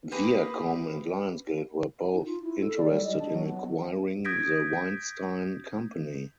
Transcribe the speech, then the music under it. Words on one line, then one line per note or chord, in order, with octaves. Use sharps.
Viacom and Lionsgate were both interested in acquiring The Weinstein Company.
A#3 G4 G#4 B4
D#4
F4
E4
A4
D5
G3
D#5
D4
F#3
B3
D#6 G6 G#6 A#6 B6 D7